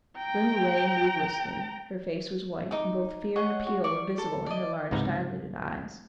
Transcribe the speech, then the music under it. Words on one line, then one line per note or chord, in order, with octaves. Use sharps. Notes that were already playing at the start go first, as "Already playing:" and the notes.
Lynde lay movelessly; her face was white, and both fear and appeal were visible in her large dilated eyes.
G5 A#5
D#4 D6
G#4 C#5 D#5 F#5
F#4
D5 C#6
A4
D5 D#5
C#2 G#2 C3 B3 D#4 A#5